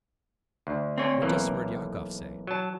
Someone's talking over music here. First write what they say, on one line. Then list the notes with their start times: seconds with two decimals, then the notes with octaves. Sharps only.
What does Smerdyakov say?
0.67 D2
0.98 C4 C#5
1.22 B1 E3 A#3
2.47 F#3 A5